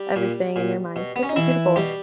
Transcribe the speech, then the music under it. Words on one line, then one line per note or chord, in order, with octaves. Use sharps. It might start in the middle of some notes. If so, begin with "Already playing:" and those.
everything in your mind. That sounds beautiful.
Already playing: G3 G4
A#2
A#2
B2
B3
C#4
D#4
B2 E3 E4
B2 G3 G4